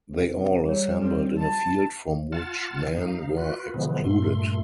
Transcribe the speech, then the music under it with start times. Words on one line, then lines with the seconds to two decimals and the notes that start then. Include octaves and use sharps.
They all assembled in a field from which men were excluded.
0.12 C3
0.65 G3 G#4 C#5
1.02 C4 A4 B4
1.39 A5
2.32 F4 F#5 A5 F6 A6
2.95 D#4 F5
3.37 F4 F#4 B4
3.74 B2 D3 E3 F3 G#3 B3
4.04 G2 A#2 A3 C6